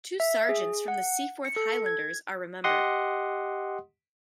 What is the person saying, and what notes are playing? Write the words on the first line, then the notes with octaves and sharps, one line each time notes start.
Two sergeants from the Seaforth Highlanders are remembered.
E5
G#4
F#5
C#7
A4
G#6
G4 D#5 F#5 C6 D#6